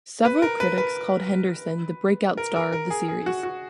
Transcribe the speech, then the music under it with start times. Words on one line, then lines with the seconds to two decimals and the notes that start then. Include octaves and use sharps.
Several critics called Henderson the "breakout star" of the series.
0.25 B4
0.42 A#4
0.60 B4
0.78 B4
2.37 A#4
2.56 A#4
2.72 A#4
2.90 G#4
3.08 G#4
3.26 F#4
3.43 F#4